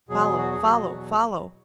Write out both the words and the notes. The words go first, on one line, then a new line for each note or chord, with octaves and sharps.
Follow, follow, follow!
E2 B2 F#3 G#4
F#4
G#4
E2 B2 F#3 F#4